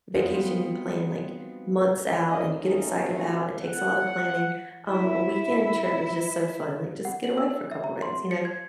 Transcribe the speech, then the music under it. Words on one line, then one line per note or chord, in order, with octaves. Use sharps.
vacation you plan, like, months out and you get excited about and it takes a lotta planning, um, a weekend trip is just so fun, like, just get away for a couple days, you know?
F3 G3 B3 C4 D#4 F#4
A#2 E3 A#3 C#4 D5 D#5
D#2 A#2 A3 C#4 D#4
A3 C4 D#4 E4 F#4
F#5
E4 E5
F#5
F#7
E6
E5
A#5
C6
C#7
G#6